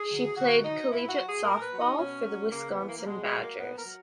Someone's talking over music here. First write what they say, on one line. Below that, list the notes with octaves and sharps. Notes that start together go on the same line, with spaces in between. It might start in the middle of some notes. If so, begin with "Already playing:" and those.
She played collegiate softball for the Wisconsin Badgers.
Already playing: G#4
F#3
A#2 F#4
F#3 D#4
A#2 E4
F#4
F#3
G#4
A#2 A#4
B4
F#3
D#4
B2 C#4
F#3
C#3 A#3
B3
E3
A#3
A#3
B2 G#3
G#3
F#3
A#3
A#2 B3
A#4
F#3